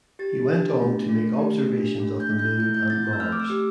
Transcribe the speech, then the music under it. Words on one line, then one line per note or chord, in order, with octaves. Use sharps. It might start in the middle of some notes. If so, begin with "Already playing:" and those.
He went on to make observations of the Moon and Mars.
G4 A6
D4
A3
A3
G4
D4
A3
G6
A3
G6
E4 G6
G6
C4 A6
G6
E6
A3 F6
D6
E6
G4